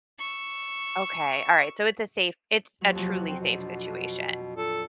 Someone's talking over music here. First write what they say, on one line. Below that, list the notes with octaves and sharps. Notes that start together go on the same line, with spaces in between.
Okay. Alright, so it's a safe it's a truly safe situation.
C#6 E6
D#2 F#3 C4
F2 C3 F#3
C4
B2
D4
A#2 A4